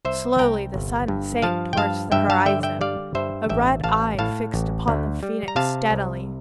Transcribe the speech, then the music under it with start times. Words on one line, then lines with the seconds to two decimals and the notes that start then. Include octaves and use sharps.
Slowly the Sun sank towards the horizon, a red eye fixed upon the Phoenix steadily.
0.05 C2 C5 E5
0.39 C2 G5 A#5
0.74 G1
1.08 G2
1.42 F3 F5 A5
1.73 G5
1.77 G2 F5 A5
2.12 G2 E5 G5
2.30 F5 A5
2.46 D3 E5 G5
2.63 E5 G5
2.81 G3 D5 F5
3.15 G2 C5 E5
3.49 A1 E5 G5
3.84 A1 F5 A5
4.19 A2 F5 A5
4.54 A1
4.88 D2
5.23 G3
5.48 A#5
5.56 C3 F5 A5
5.90 C2